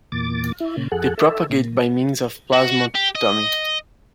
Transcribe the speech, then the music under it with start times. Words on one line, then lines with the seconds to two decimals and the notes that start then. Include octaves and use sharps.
They propagate by means of plasmotomy.
0.12 E2 A#2 D6 A6
0.60 E4
0.77 A#2 C#3
0.92 F2 G#4 A4 F#5
1.18 A4 E5
1.50 A#2
2.53 F#4
2.95 G4
3.15 D#5